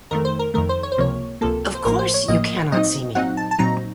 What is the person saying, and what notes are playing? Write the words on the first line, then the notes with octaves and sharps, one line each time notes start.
Of course you cannot see me.
F2 D#3 A3 A#4
C5
A#4
F2 D#3 A3 A#4
C5
C#5
C5
C#2 C3 F3 A#3 C#5
C#2 C3 F3 A#3 A4
C5
A1 A2 F3 A#3 A#4
C5
C#5
A1 A2 F3 A#3 D#5
A#2 F#3 C4 D#4 D#5
A#2 F#3 C4 D#4 F#5
A5
A5
A#2 F#3 C4 D#4 A#5